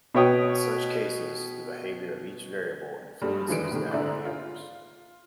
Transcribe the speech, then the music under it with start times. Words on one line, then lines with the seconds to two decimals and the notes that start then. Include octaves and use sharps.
In such cases, the behavior of each variable influences that of the others.
0.14 B2 B4 C#5 G5 D#6
3.21 G2 G3 G#3
3.48 F#2 D#3 E3 G#3 D7
3.71 A2 C3 D#3
3.91 G#2 D3 G#3 E4 D5
4.25 F4